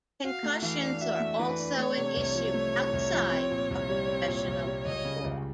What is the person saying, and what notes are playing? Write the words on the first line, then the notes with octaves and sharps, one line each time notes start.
Concussions are also an issue outside of professional football.
F#4 F5
A3
E3 F5
D4
F#4 E5
A3
E3 B4
D4
A3 C#5
C3
C2
F3
A3
C3
C2
F3
C4
A#2
C2
G3
C4
A#2
C2
G3
C#2 D#5
C#3
C#2